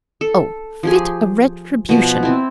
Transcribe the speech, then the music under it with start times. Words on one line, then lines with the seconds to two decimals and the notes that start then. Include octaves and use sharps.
Oh, fit retribution!
0.21 A4
0.83 F3 G4 G#4
1.89 B2 F3
2.23 C4 E4